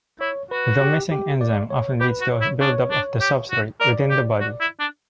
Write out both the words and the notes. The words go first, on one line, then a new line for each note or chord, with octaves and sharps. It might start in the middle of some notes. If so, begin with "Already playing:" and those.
The missing enzyme often leads to a build-up of the substrate within the body.
E4 C#5
F#4 B4
G4
G4
D5
C#5
G4 B4
F#4
C#5
E4
D4 C#5
D4
G4
F#4
A#4 D5
G4
F#4
E4
D4